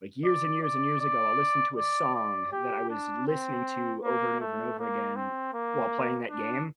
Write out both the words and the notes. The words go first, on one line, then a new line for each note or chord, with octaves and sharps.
like, uh, years and years and years ago, I'll listen to a song that I was listening to over and over and over again while playing that game,
D5
D5
D5
D5
D5
G4
D4
C4
A#3
A3
A#3
C4
A#3
D4